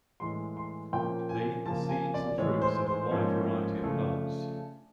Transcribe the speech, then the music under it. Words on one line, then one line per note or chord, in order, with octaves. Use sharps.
They eat the seeds and fruits of a wide variety of plants.
A2 E3 G#3 C6
C6
A#2 F3 A#3 C#4 G5
G#5
C#3 F3 A#3 A5
G#5
D5
A2 E3 G#3 C#5
C5
C5
G#2 F3 A#3 C#4
C#3 F3 A3 D4